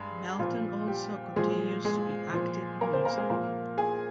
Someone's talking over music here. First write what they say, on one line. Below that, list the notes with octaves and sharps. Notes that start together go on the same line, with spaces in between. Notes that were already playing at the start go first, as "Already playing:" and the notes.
Melton also continues to be active in music.
Already playing: G2 G#3
A#2 F3 F4
G4
A#2 F3 G#3 G#4
G#3 G#4
A#2 F3
A#3 A#4
C4 C5
A#3 A#4
G#3 G#4
A#2 F3 A#3 A#4
G#4 G#5